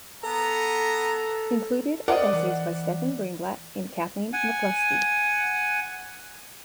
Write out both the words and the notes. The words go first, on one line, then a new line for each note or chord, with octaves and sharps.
Included are essays by Stephen Greenblatt and Kathleen McLuskie.
B3 A4 A#5
A#4 C5 D5 D#5 F#5
E3
F#5 G#5